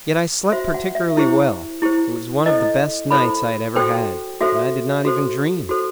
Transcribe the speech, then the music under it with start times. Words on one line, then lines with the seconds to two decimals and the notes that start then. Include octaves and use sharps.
Yet I slept particularly well; it was one of the best nights I had ever had, and I did not even dream.
0.52 F#4 C5 E5
0.74 F#5
0.95 E5
1.17 E4 G4 C5
1.82 E4 G4 C5
2.46 E4 A4 C5 D#5
3.11 E4 A4 C5 B5
3.76 F#4 A4 C5 G5
4.41 F#4 A4 C5 E5
5.05 F#4 A4 C5
5.69 F#4 A4 C5